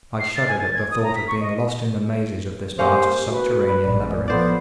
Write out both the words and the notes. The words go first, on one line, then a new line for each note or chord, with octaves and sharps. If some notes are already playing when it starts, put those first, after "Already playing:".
I shuddered at the thought of being lost in the mazes of this vast subterranean labyrinth.
C7
A6
G#5
A6
G#6
D#6
A#5
B6
C#6
D#5
A#3 C#4 G4 C5
F#4 B4
A1 G#2 D5
F3 B3 A4 C5 D5